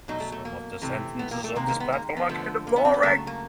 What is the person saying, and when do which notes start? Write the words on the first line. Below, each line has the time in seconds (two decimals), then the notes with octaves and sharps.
Some of the sentences on this platform are kind of boring.
0.08 B2 F#3 A3 D#4
0.20 A3
0.32 A3
0.45 A#3
0.82 C3 E3 A3
1.19 B3
1.31 A#3
1.44 A3
1.55 C3 D#3 G#3 A#3
1.68 A#3
1.80 B3
1.92 A#3
2.17 B3
2.29 D3 F3 A3
2.67 A#3
2.76 B3
2.85 C4
2.94 B3
3.03 C#3 F#3 A3 A#3
3.27 A#3